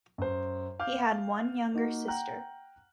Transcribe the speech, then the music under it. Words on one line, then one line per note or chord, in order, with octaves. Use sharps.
He had one younger sister.
F#2 C5
F5 D6 F6 G6
A#3 D#4 F#4
F#5 G5 A#5 F#6